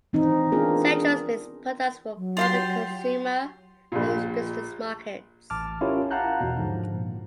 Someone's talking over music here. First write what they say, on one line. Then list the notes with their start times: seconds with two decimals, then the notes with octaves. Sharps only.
Xandros makes products for both the consumer and business markets.
0.13 E3 C4 D#4
0.52 B3 D4 F4 G#4 A#4
2.16 F#3
2.37 F4 G4 C6
3.92 A#1 A#2
5.50 A1 A5 D6 F6
5.81 C#4 E4 F4 G4 A#4 C#5
6.11 F5 F#5 A5 A#5 F#6 G6
6.41 E2 B2
6.57 G#2 D3 F3
6.94 A#2